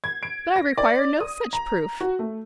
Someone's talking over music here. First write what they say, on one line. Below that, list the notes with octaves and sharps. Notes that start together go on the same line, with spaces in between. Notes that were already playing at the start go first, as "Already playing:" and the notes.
But I require no such proof.
G#6
D7
A#6
D5
D#6
A#5
F#4
A3